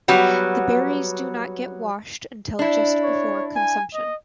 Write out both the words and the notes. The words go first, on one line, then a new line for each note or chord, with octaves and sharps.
The berries do not get washed until just before consumption.
F#3 G3 B3 F#4
D4 E4
C#5
G#5
D#5